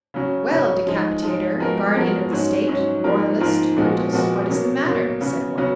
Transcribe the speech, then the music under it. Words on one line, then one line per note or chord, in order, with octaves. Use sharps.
"Well, Decapitator, Guardian of the State, Royalist, Brutus, what is the matter?" said one.
C#3 F#3 C#4
C#3 F#3 C#4
F3 G#3 D#4
F3 G#3 D#4
F3 G#3 B3 F#4 A#4
F3 G#3 B3 F#4 A#4
G#2 F#3 C#4
G#2 F#3 C#4
G#2 F3 A#3 F4 A#4
G#2 F3 A#3 F4 A#4
A#2 F3 G#3 B3 F#4
A#2 F3 G#3 B3 F#4
B2 F#3 A#3
B2 F#3 A#3
C#3 F#3 B3
C#3 F#3 B3